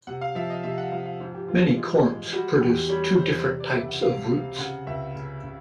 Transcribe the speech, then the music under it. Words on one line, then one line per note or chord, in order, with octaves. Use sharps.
Many corms produce two different types of roots.
C3 F#5
F5
F3 E5
D#5
C3 E5
F#5
F3 F5
F5
G#2 C5
G4
E3 F4
F4
G#3
G#3
G3 F#4
E2 G4
G3 C#5
E2 C5
C3 C#5
D5
C#2 E5
F#5
C3 F5
C3
C#3 F#5
C#2 E5
C#3
C#3